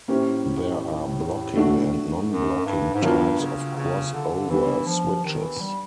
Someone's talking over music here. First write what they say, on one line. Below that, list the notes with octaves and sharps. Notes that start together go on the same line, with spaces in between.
There are blocking and non-blocking types of cross-over switches.
A2 A#3 C#4 E4 G4 C5
A3 D4 F#4
F#2
G2
G#2
G2 F#3 B3 D4 F4 A#4
C#3
C#3
D3
E3 G3 B3 D4
F3
D#3
E3
G3